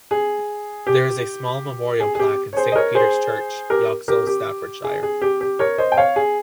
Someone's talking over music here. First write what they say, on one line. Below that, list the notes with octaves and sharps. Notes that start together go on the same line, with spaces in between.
There is a small memorial plaque in Saint Peter's Church, Yoxall, Staffordshire.
G#4
G4
G#4
G#4
G4
C#5
G#4 C5
D#5
A#4 C#5
G#4 C5
G4 A#4
G4 A#4
G4
G#4
G#4
G4
G4
A#4 C#5
C5 D#5
G5
C#5 F5
G#4